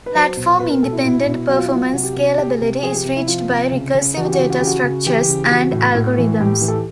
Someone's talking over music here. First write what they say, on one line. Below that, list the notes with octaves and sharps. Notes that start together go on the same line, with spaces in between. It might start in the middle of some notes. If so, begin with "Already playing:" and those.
Platform-independent performance scalability is reached by recursive data structures and algorithms.
B4
F#3 C5
B2
B2 B4
A#4
B2 A4
E4
B2 E4
B2
F#3 F#4
F4
E4
F#3 F4
C3 F#4
G4
C3 F#4
C3 G4
G#4
C3 G4
F3 G#4
G4
C3
E4
F3 F4
C3
C#3
C#3
E3 F#4
G4
F#4
C#3 G4
F#4
C#3 G4
F#4
C#3
E3 G4
C#3
G4
E3 F#4
A2
A2
E3
A2 G4
E3
A4